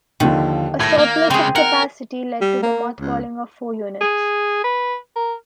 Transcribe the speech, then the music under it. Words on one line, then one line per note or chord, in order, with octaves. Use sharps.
A surplus of capacity led to the mothballing of four units.
D#2 D3 D#3 F3
A2 G#6 A#6
A#3
C#3 G#3 C4 G#4
A#4 F#5
G3
A#3
C#2
G#4
B4
A#4